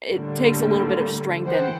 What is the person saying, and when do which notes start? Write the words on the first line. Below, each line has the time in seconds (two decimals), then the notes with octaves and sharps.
it takes a little bit of strength and
0.11 A2 D3 G3 A3 A#3
1.44 E3 C5 F#5 G5